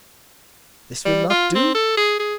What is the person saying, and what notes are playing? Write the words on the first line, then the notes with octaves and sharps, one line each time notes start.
'This will not do.
G3
F4
C4
A4
G#4
G#4